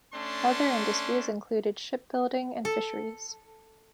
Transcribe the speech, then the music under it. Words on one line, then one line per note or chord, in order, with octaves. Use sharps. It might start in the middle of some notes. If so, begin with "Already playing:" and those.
Other industries included shipbuilding and fisheries.
A3 C#4 D4 C6
A4